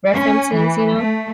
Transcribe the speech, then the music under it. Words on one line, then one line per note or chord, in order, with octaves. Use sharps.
references, you know?
C#4
E3
A3